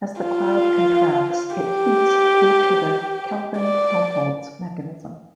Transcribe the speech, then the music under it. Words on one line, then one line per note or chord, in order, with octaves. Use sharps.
As the cloud contracts it heats due to the Kelvin-Helmholtz mechanism.
F4
G4
D5